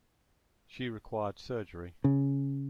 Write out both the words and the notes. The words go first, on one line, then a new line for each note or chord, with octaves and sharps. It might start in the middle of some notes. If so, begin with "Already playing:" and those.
She required surgery.
C#3